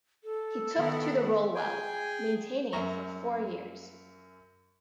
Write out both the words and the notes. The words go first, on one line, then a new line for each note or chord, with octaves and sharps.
He took to the role well, maintaining it for four years.
A4
D#3 B3
G#4 G5 G#5
F#2 E5 A#5 C#6